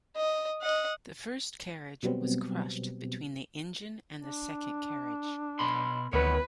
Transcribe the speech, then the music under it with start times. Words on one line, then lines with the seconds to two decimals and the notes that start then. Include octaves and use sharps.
The first carriage was crushed between the engine and the second carriage.
0.16 D#5
0.62 D#5 F#5
2.03 B2 F#3 G3 B3 C4
4.15 D4
5.59 B2 B5 C6
6.13 D2 D#3 B3 B4 C#5